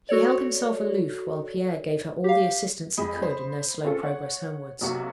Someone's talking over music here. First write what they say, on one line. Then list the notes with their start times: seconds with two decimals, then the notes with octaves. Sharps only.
He held himself aloof while Pierre gave her all the assistance he could in their slow progress homewards.
0.09 F#4 A4 C#5 D5
2.24 G4 F5
2.97 F2 G#3 B5 D#6
3.22 C5 B5
3.84 C4 C#4 F4 A4
4.03 C#5 F#5
4.81 B1 C3 A#3 F#4